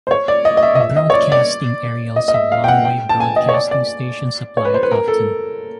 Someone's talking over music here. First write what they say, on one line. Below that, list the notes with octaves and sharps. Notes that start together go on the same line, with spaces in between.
Broadcasting aerials of longwave broadcasting stations apply it often.
C5
C#5
D5
D#5
D#5
E5
D#5
E5
D#5
C#5
D5
D5
D#5
D#5
E5
F5
G5
F#5
G5
A5
G#5
D#5
C#5
D5
D5
C#5
B4
C5
B4
A#4
A4